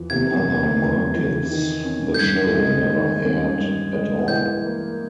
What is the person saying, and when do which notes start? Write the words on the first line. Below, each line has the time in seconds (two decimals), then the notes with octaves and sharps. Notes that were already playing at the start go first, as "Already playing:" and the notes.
In other markets the show never aired at all.
Already playing: E2 F3
0.10 C3 G#6
0.45 A#3
0.80 E2
1.14 F3
1.50 D#3
1.84 C#4
2.14 G6
2.19 G2 G#6
2.54 G#3
2.90 D#3
3.24 C#4
3.58 G2
3.93 G#3
4.28 E3 G6
4.64 A#3